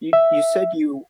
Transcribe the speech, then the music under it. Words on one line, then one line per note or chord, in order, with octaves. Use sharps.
You you said you
E5